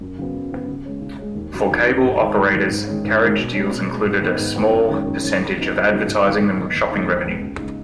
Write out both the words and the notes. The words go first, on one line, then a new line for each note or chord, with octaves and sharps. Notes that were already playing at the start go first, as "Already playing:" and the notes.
For cable operators, carriage deals included a small percentage of advertising and shopping revenue.
F#2
C#3 F#3 B3
F#2
C#3 F#3 B3
C#3
G#3 C#4
C#3
G#3 C#4
D#2
C#3 F#3 D#4
D#2
C#3 F#3 D#4
G#2
D#3 G#3
G#2
D#3 G#3
G#2
D#3 G#3 C#4
G#2
D#3 G#3 C#4
B2
G#3 C#4
B2
G#3 C#4
G#2
D#3 B3 D#4
G#2
D#3 B3 D#4
F#2
D#3 G#3 C#4
F#2
D#3 G#3 C#4
C#2
C#3 F#3 B3 D#4
C#2
C#3 F#3 B3 D#4
G#2
D#3 B3 D#4
G#2
D#3 B3 D#4
D#2
D#3 G#3 B3 D#4
D#2
D#3 G#3 B3 D#4
C#2
C#3 G#3 D#4